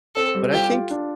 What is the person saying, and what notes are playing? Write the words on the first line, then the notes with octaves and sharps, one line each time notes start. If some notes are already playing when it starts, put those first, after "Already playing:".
But I think
C4 A4
G3
F4 G4
F4
D4